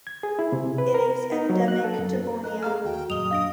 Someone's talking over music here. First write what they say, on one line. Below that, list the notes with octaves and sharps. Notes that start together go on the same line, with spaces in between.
It is endemic to Borneo.
G#6
G#4
E4
C3
B4
A#4
D#4
F#3
F#6
A4
F#2
A4 D#5 A#5 F#6
G#4 F5 A#5 F6
D#2 F#4 G5
F#2 A#2 D#5 D#6 F7 G7
D4 F5 A#6 D7